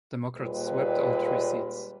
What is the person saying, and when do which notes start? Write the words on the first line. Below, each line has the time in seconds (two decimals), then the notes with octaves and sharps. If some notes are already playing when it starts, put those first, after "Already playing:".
Democrats swept all three seats.
0.36 D#2 A#2 G3 G#3 B4